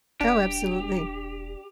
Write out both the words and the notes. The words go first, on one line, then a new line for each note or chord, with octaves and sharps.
Oh, absolutely.
E1 D4 G4